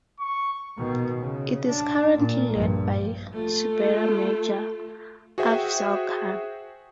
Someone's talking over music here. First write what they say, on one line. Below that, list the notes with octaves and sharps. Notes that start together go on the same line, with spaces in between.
It is currently led by Subedar Major Afzal Khan.
C#6
B2 D#3
C#3
D4
A#2
A#1 G2
A3 F4
F#4 G#4 C5 E5 G5